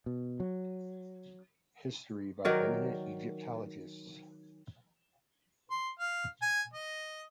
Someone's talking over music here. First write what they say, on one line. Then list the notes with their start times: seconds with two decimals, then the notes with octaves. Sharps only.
History by Eminent Egyptologists.
0.06 B2
0.40 F#3
2.45 D#3 F#3 A#4 D5
5.71 C6
5.99 F5
6.42 G#5
6.74 D#5